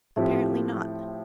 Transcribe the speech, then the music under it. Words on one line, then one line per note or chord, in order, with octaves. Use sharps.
Apparently not.
A2 F3 C4 G4